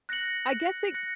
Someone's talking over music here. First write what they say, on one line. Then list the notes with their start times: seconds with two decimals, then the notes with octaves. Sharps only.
I guess it
0.09 F#6 A#6 C#7 F#7
0.94 F#6 A#6 C#7 F#7